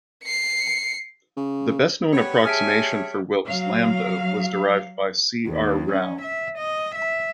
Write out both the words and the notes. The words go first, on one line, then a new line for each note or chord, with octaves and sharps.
The best-known approximation for Wilks' lambda was derived by C. R. Rao.
C7 C#7
C#3
G3 B3 C#5
G#4 E5 G#5 A5 F6 B6 D7
F#3 F5
D#2
C#4
E5
D#5
E5